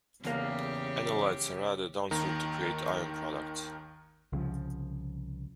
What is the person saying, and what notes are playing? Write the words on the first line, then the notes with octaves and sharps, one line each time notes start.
Analytes are added downstream to create ion products.
E2 C#3 A#3 G4
D#2 D#3 A#5
C2 C#3 F3